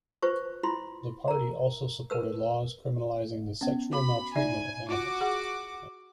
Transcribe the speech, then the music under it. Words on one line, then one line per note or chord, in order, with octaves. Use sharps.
The party also supported laws criminalizing the "sexual maltreatment" of animals.
F4 B4 C5 C#6
E4 F4 B5 C6
A#4 A#5
A#4 B4 E6
B3 C#4
F#4 B5
D#4 D5 E5 G#5
F4 F#4 D6
G#4 F#5